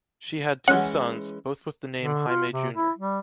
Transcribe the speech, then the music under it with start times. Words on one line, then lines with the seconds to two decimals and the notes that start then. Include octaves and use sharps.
She had two sons, both with the name Jaime Jr.
0.68 E3 G#3 C#4 F#5
2.01 D3
2.28 F4
2.52 C3
2.74 E4
2.98 G3